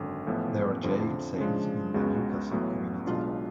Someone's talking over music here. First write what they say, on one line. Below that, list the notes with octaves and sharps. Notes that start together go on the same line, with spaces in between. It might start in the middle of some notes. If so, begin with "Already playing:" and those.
There are jail cells in the Newcastle Community Hall.
Already playing: G#1 F#2 D3
A1 A2 F3 B3
F2 D3 F3
C#3 F3 G#3 D4
C#2 C#3 G#3 B3 F#4
A1 A2 F#3 B3
B1 B2 G#3 D4 F4